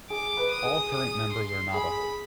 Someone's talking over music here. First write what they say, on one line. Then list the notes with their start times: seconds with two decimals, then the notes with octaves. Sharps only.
All current members are Navajo.
0.10 G#4 D6
0.37 B4
0.51 D#6
0.65 G#4
0.92 D#6
1.33 C6
1.74 G#4 B5